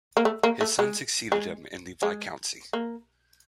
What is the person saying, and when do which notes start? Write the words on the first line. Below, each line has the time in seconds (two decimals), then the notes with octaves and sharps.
His son succeeded him in the viscountcy.
0.17 A#3
0.25 A3
0.43 A#3
0.61 A3
0.79 G#3
1.32 G#3
2.03 G#3
2.73 A#3